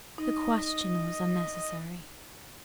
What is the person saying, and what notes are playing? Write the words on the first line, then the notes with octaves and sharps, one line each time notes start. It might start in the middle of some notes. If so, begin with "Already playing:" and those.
The question was unnecessary.
D#4 D#5